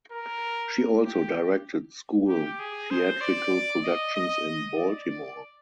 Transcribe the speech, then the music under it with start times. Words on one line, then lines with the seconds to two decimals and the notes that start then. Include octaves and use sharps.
She also directed school theatrical productions in Baltimore.
0.12 A#4
1.05 G4
2.28 G4
2.59 G#4
2.90 C5
3.21 D5
3.83 D#5
4.14 D#5
4.75 D5